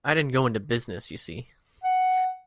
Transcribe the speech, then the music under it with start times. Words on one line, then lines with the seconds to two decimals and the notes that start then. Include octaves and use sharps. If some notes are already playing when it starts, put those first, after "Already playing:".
I didn't go into business, you see.
1.84 F#5